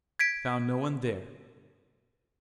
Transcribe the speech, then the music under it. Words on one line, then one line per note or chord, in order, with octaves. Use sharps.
I found no one there.
G#6 B6 D7